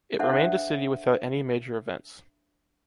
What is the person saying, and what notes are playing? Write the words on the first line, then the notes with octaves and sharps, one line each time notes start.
It remained a city without any major events.
D4 A4 C5 E5 F#5